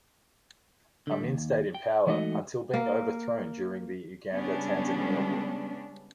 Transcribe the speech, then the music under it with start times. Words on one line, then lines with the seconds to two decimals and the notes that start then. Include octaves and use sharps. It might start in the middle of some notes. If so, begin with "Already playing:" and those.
Amin stayed in power until being overthrown during the Uganda–Tanzania War.
1.07 D3 G3
1.23 D#2
1.75 G5
2.07 E3 G#3 A3 D#4 F#4 D#5
2.74 A#3
4.31 C#3 G3 G#3 B3 C#4 D4